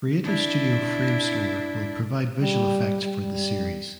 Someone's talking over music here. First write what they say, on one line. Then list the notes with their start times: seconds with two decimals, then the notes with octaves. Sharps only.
Creative studio Framestore will provide visual effects for the series.
0.24 D4 E4
2.40 G3
3.02 G3